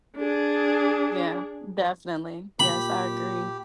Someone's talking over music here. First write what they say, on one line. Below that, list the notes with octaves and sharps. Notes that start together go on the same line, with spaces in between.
Yeah, definitely. Yes, I agree.
D4 G#4
A#2 G4 B5